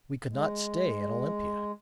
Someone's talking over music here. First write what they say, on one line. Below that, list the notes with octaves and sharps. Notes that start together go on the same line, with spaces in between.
We could not stay at Olympia.
G#3